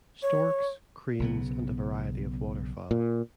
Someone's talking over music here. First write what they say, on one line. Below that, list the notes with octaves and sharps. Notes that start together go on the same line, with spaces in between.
Storks, cranes and a variety of waterfowl.
C#5
B1 C#3 B3
A#2